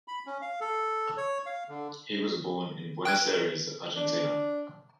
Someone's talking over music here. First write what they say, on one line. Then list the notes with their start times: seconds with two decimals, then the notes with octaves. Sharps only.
He was born in Buenos Aires, Argentina.
0.08 B5
0.26 C#4
0.42 F5
0.61 A4
1.17 C#5
1.46 F5
1.69 D3
3.05 G5 F#6 G#6
3.96 D4